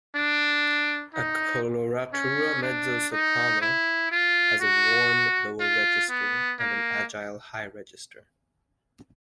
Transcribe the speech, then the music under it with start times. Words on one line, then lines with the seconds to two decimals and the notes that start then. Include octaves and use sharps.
A coloratura mezzo-soprano has a warm lower register and an agile high register.
0.15 D4
1.14 D#4
2.13 C#4
2.63 D4
3.12 D#4
3.62 E4
4.11 F4
4.61 F#4
5.60 F4
6.10 B3
6.59 A#3